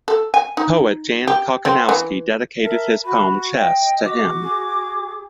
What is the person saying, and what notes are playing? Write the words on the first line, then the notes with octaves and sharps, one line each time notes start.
Poet Jan Kochanowski dedicated his poem "Chess" to him.
A4
G#5
D#4
G4
C4
E3
A#4 E5 A5
F#4 B5
D#5 G5
F#4 D6
G#4